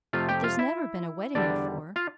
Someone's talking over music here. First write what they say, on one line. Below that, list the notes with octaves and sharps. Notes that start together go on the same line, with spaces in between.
But there's never been a wedding before.
F2 C3 F3 A3 F4 F5
G4 G5
F4 F5
E4 E5
E2 D3 G3 D4 D5
F4 F5